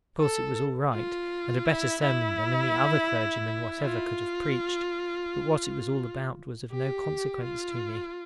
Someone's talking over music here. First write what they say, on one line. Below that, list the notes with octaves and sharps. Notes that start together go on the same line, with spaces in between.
Of course it was all right, and a better sermon than any other clergyman whatever could have preached, but what it was all about was of no consequence to me.
A4
F4
E4
E4
F4
G4
F4